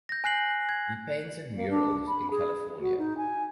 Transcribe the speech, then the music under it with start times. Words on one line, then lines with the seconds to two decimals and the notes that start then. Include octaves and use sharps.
He painted murals in California.
0.09 G6 A#6
0.24 G#5 F#6 C7 F#7
0.69 G#6
1.55 A#3
1.70 D4
2.07 B5
2.31 G#4
2.81 F#4
2.98 D#4
3.17 G#5